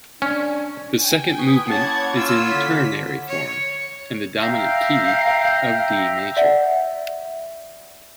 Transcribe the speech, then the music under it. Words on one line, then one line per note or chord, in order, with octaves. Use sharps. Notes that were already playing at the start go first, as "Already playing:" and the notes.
The second movement is in ternary form and the dominant key of D major.
C#4 D4
G5 G#5
B4 C#6 D#6
A#3 C#4 E4 C#5 F#5 A5 G#6
F4 E6
D3 B6
C#5
E5 F5 G5 A#5
D5 E5 F#5